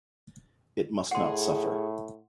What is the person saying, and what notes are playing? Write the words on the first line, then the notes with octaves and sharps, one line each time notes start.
It must not suffer.
A2 F#4 G#4 F#5 C6